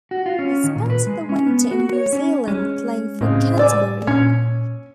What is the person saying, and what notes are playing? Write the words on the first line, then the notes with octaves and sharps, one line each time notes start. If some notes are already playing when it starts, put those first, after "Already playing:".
He spent the winter in New Zealand playing for Canterbury.
F#4
F4
C#4
D#3
A#2
B4
G#3
C#4
B3
F#4
C#5
C#4
G#3 C#4
A2 C#3 G#3 C4
D5 G#5 D6 E6
A#2 C#4